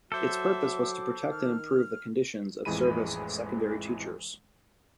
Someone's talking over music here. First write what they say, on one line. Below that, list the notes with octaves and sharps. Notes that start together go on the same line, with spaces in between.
Its purpose was to protect and improve the conditions of service of secondary teachers.
F#3 A4 C5 E5 D6
D#3 F6
A1 F2 E3 G#3 B5 D#7